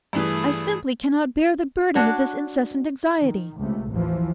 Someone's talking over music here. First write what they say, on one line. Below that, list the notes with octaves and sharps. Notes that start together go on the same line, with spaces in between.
I simply cannot bear the burden of this incessant anxiety.
G2 E3 A3 G#4
D4 F#4 C#5
D#3
C#2 C3 A3
A1 D#2 E3 F3